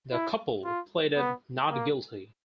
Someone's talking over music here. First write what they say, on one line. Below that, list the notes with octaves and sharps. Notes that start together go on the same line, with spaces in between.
The couple pleaded not guilty.
E4
F4
B3
A#3